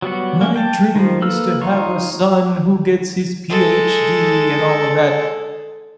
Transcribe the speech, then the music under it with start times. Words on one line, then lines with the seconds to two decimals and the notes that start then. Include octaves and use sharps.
"My dream is to have a son who gets his PhD," and all of that,
0.02 F#3 G3 B3 F#4
0.41 A#3 B3 C#4
0.56 G5 A5
0.95 D#3 F3
1.22 A#3 A4 B4 E6 F6
1.62 D#4 F4 C#5
3.50 G#3 A4